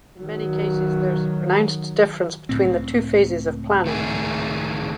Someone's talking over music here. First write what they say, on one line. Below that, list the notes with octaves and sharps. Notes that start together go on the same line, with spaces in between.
In many cases there is a pronounced difference between the two phases of planning.
D#3 F#3
C#2 A2 C4
D#3 A3 G#4